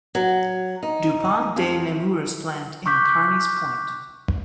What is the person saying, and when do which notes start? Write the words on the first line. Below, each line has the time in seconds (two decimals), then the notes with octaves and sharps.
DuPont de Nemours plant in Carneys Point.
0.15 F#3
0.83 D#4
1.56 F2
2.86 C#6 D6 E6 F#6 G6 B6